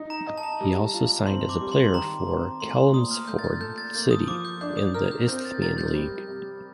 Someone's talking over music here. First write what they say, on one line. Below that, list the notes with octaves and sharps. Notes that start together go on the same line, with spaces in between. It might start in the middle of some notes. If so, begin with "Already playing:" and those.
He has also signed as a player for Chelmsford City in the Isthmian League.
Already playing: D#4
A#5
D#5
A5
A#5
G3
F4
C4 C6
D6
G3
C6
D#3 A#5
C4
A3 C6
A#2 D#6
F6
A3 G6
A6
G6
A4 G6
A6
A#3 G6
D#6
F3 D6
G6
D4 G6
D#6
A#4 F6
G6
C4 G6
A6
A#4 A6
G6
G3
C3